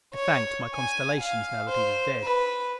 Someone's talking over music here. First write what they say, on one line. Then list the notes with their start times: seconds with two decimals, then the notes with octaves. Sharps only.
I thanked my constellations now that he was dead.
0.14 C#5
0.75 G#5
1.21 F5
1.69 C5
2.24 B4